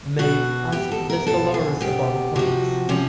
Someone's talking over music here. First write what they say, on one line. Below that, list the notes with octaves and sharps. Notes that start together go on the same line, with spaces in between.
Maeve asks this Dolores about her plans.
B2 F#4
B2 G4
A4
A#4
B2 A4
G#4
B2 G4
C3 F3 F#4
C3 F3 C#4